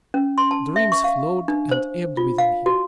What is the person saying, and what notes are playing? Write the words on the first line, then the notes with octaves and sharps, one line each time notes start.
Dreams flowed and ebbed within him.
C#4
C6
A5
E5
C#6
F5
D4
C5
F4
F5
F#4